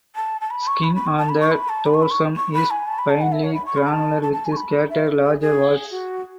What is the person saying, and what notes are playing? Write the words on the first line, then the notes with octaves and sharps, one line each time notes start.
Skin on the dorsum is finely granular with scattered larger warts.
A5
A5
B5
C#6
B5
B5
C#6
A5
B5
C#6
B5
A5
B5
C#6
B5
C#6
C#6
B5
G#5
A5
B5
A5
F#5
E5
C#5
B5
C#6
B5
A5
A5
A5
G#5
C#6
B5
E5
A4
G#4
G#4
F#4